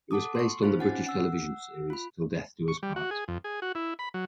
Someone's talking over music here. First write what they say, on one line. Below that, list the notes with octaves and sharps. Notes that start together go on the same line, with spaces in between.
It was based on the British television series Till Death Us Do Part.
A4 F#5 A5 D6 D#6
C6 C#6
C4 D#4 F4 C5 F5
C4 C#4 F#5 G#5 A6
F#5 E6
F4 B5
C#6
G3
F#4
G#4
F2
G#4
F#4
E4
B5
F#3